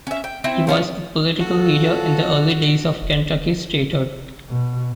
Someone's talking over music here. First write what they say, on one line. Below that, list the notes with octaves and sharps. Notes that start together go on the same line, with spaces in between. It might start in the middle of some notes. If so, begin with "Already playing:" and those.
He was a political leader in the early days of Kentucky statehood.
C#4 E5
G5
C4 E4 E5
F3 C#4 F4
F4 F#4 A4
B2